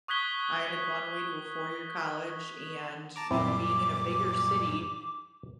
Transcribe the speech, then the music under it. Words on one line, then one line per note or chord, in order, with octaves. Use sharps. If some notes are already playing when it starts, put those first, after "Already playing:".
I had gone away to a four-year college, and, you know, being in a bigger city,
C#6 D#6 F#6 G#6 B6 G7
A5 A#5 D6
F#2 A#2 G3 C4 E4 D6